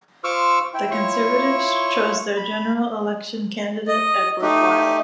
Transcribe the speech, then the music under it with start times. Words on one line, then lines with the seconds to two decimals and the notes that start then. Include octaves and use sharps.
The Conservatives chose their general election candidate Edward Wild.
0.24 F4 C5 C#6 D6 E6 F6
0.74 E4 G5
0.91 E4 F4 C#5 C#6
2.37 B5
3.88 D#5
4.42 A3 D#4 G4